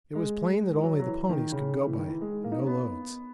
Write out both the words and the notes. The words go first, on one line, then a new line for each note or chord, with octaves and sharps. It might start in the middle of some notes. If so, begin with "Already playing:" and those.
It was plain that only the ponies could go by it--no loads.
G#3
E3
F#3
F#3
E3
D#3
C#3
E3
D#3
E3
G#3
A#3
D#4
C#4
B3